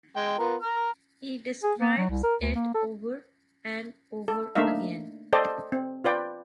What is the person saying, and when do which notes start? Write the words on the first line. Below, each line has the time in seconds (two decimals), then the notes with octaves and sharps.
He describes it over and over again.
0.16 G#3 G5
0.39 B3 F4 A#4
0.62 A#5 F6
1.63 G#4
1.79 A#3
1.98 F#3
2.10 C2
2.24 A#4
2.42 D2
2.55 A#3
2.74 A4
4.28 A4
4.55 A3 A#3 D4 D#4 E5 F5
5.33 A4 C5 D5 D#5 G5 A5
5.72 C4
6.04 F4 B4 D5 G5